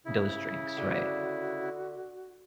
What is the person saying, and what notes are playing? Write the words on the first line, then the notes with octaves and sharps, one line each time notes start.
those drinks, right?
C#3 E4
D3 F#4